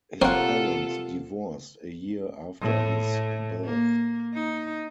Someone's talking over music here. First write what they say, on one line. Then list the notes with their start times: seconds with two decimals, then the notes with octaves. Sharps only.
His parents divorced a year after his birth.
0.22 C3 A#3 C4 F4 A4 C5 C#5 F#5
2.61 A2
3.65 A#3
4.34 D#4